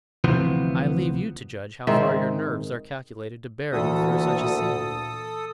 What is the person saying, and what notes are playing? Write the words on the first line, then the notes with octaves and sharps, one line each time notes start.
I leave you to judge how far your nerves are calculated to bear you through such a scene.
D2 C3 E3 F3 B3
G#2 D#3 C4 E5
D2 A#2 E3 A4 D#6